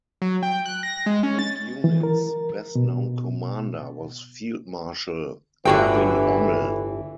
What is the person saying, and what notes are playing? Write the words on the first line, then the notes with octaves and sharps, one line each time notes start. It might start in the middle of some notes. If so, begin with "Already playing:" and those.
The unit's best known commander was Field Marshal Erwin Rommel.
F#3
G5
F#6
A#6
G#3
C#4
A6
E3
A#4
B2
G1 A2 D3 E3 F#4 G5 A#5